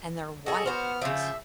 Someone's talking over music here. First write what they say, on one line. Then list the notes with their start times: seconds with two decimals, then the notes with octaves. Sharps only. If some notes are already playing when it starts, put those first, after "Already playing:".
and they're white,
0.46 F#4 G#4 A4 D#5
0.66 B3 F#4 C5 F6
1.02 C#3 F3 E5